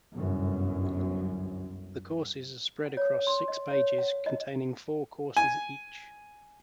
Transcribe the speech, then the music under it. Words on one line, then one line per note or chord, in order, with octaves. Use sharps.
The courses are spread across six pages, containing four courses each.
G1 C2 F#2
F#5
C#5
C6
D#5
C#5
F#5
D#5
G#5